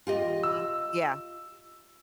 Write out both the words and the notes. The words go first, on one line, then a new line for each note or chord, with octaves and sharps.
Mhm, yeah.
F4 G4 D#5
E6